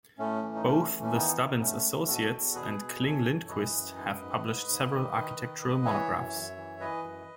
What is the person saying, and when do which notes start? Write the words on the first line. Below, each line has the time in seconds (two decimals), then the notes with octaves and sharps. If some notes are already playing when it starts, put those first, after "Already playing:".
Both The Stubbins Associates and Kling-Lindquist have published several architectural monographs.
0.18 A2 A3 C#4
0.43 E3
0.55 D#4
0.66 E3 A3 C#4
0.89 E3
1.02 C#4
1.13 D#3 B3 D#4
1.36 G#2
1.60 G#2 A3 C#4
1.84 G#2
2.07 B2 F#4 A4
2.31 E2
2.55 B2 G#4 B4
2.78 B2
3.02 E3 A4 C#5
3.25 F#2
3.49 E3 B4 D#5
3.72 F#2
3.97 G#2
4.21 G#2
4.44 G#2
4.68 G#2
4.92 D#3
5.14 D#3
5.38 D#3
5.63 G#2
5.85 E3 C#5 E5
6.10 F#2
6.33 F#2
6.56 E3
6.80 E3 B4 D#5
7.04 F#2